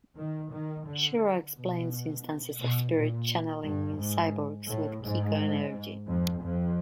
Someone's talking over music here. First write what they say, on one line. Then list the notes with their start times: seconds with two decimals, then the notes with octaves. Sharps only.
Shirow explains instances of spirit channeling in cyborgs with kiko energy.
0.15 D#3
0.51 D#3
0.85 D3
1.55 B2
2.60 B2
2.94 A#2
3.64 G2
3.99 G#2
4.68 A2
5.03 G#2
6.08 F2
6.43 F2